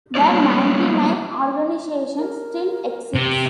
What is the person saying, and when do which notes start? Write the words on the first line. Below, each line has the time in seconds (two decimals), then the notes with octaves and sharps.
The Ninety-Nine organization still exists.
0.15 G3 A#3 B3 D#4 C#5 D5
2.18 A#4
3.15 C3